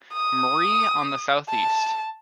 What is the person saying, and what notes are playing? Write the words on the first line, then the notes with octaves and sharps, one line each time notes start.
Marie on the southeast.
D#6
A5